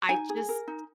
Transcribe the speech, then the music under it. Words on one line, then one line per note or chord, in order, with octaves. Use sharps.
I just
D#4 G#5
G#4
A#4
D#4